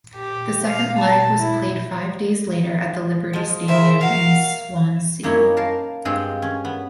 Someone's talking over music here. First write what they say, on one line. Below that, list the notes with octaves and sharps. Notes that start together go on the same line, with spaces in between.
The second leg was played five days later at the Liberty Stadium in Swansea.
G4
F5
A5
E4
F3 G#3
C#3 A#4 C5 E5
F#4 A#4 F5
F#2 A#3 D#4 E4 C#5
A#4 F5 A5
G2 G#3 C4 F4
C#4
B3